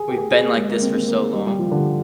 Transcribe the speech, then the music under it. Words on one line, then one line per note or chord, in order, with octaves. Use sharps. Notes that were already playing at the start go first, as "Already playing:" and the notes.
We've been like this for so long.
Already playing: G#4
G4
G#4
G#4
A#3
G#3
A#3
C4
C4
A#3
G3
G3
F3
D3